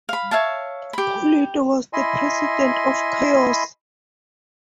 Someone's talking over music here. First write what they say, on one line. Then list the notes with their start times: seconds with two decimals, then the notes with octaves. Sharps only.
Pulido was the president of Chaos!
0.09 F5 B5
0.31 C#5 E5 F5 A5
0.93 G4 B5
1.93 E4 D#5 G#5 B5 C6